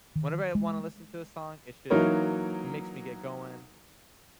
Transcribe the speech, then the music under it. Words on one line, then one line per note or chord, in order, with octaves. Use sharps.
whenever I wanna listen to a song, it just m makes me get going.
D#3
G#3
E3 F#3 A#3 D#4 A#4 C#5